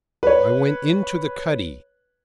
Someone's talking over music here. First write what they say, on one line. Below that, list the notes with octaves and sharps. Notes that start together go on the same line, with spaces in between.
I went into the cuddy.
B4 C#5